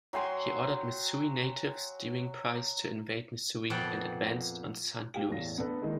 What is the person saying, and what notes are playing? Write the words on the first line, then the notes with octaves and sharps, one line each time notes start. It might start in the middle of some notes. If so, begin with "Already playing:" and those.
He ordered Missouri-native Sterling Price to invade Missouri and advance on Saint Louis.
F#3 G5 G#5 C6
F2 A#2 B3 F#5 G5 A5
G4 F5
E2 A2 A#6
B3 D4 A4 B4
D#3 G#3 A#3 D#4 E4